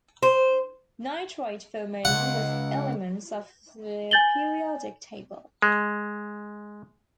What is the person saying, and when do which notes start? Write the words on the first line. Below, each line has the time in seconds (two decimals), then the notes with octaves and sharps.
Nitrate formation with elements of the periodic table.
0.23 C5
2.05 C#2 F#5
4.11 G#5 G6 A6 F#7 G7
5.62 G#3